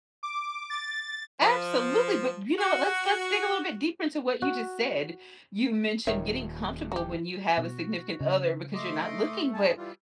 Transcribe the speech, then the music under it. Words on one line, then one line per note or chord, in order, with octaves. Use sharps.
Absolutely, but, you know, let's let's dig a little bit deeper into what you just said. You mentioned getting comfortable when you have a significant other because you're not looking, but
D6
A6
F3
F#4
F#4
D#1 D#3 C#5 E5
F#4 G4
B2 F#4
C#3
A3 D#5 C6 D6
G2 G#4 A5
E3 G3 F4